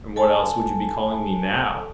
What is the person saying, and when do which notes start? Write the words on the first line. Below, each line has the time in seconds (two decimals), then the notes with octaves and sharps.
"And what else would you be calling me now?"
0.16 A4 G#5 A5